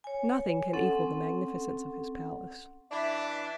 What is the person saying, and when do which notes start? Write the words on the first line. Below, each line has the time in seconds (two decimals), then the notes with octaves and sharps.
Nothing can equal the magnificence of his palace.
0.04 C#5 G#5
0.73 C4 C#4 A4 F#5
2.91 E3 D4 E5